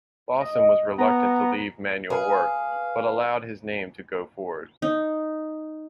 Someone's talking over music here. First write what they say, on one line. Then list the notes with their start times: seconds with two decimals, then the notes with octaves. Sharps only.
Lawson was reluctant to leave manual work, but allowed his name to go forward.
0.40 D#5
0.98 B3 A#5
2.10 G#4 B4 F5
4.82 D#4